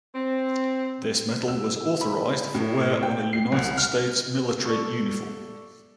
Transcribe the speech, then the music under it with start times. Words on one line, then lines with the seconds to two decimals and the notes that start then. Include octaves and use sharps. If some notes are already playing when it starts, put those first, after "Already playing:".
This medal was authorized for wear on a United States military uniform.
0.15 C4
1.48 E6
2.01 B5
2.54 A2
3.03 G5
3.33 C7
3.52 C2
3.77 F6
4.65 A4 D5 C#6